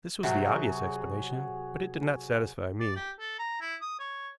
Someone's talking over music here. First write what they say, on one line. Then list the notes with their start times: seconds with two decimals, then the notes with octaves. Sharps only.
This was the obvious explanation, but it did not satisfy me.
0.23 C3 F#3 F#4 G#4
0.45 G#4 C#5 C#6
2.80 D5
2.96 G4
3.20 A4
3.39 A#5
3.61 E4
3.81 D#6
3.99 C#5